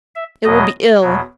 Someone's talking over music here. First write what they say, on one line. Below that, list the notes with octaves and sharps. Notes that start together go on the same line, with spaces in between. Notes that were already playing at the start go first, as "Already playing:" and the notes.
It will be ill.
E5
E2 B2 F#3 D#5
E2 B2 F#3